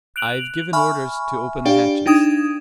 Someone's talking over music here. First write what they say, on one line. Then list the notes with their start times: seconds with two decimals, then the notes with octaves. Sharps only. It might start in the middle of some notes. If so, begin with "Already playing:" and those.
"I've given orders to open the hatches."
0.16 F#6 D7 F7 F#7
0.73 E5 G#5 B5 C#6 F6
1.65 D4 G4 D5 F5 G5
2.06 D4 D#4 G5 D#6 G#6 E7